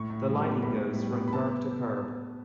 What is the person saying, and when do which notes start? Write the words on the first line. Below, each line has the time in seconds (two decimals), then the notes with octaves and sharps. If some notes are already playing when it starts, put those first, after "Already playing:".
The lighting goes from curb to curb.
Already playing: A2 A3 C#6
0.10 A2
0.27 G3
0.45 B3
0.62 A2 B5
0.81 A2
0.98 G3
1.15 B3
1.28 B5
1.33 B3 A5